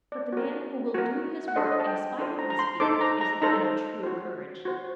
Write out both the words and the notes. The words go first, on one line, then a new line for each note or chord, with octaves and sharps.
But the man who will do his work in spite of his fear is a man of true courage.
D5
F#4 A#4
F#4 A#4
F#5
D4 A4 C5 D#5
D#5
A5
G5
D4 A4 C5
A#5
A#5
C6
D#4 A4 C5 D6
A#5
A#5
D#4 A4 C5 A#5
F#4 C5
F#4 C5